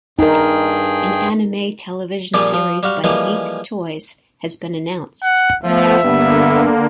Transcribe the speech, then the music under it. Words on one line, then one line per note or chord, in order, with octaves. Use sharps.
An anime television series by Geek Toys has been announced.
G2 D#4 G#4 A#4 G5
A#2 F3 G3 C4 G#4 D5
F3
G3 F#4 F5
E3 F3 G3 G#3 A#3
F#5
F3 A3 B3 E5
G2 D3 A#3 B3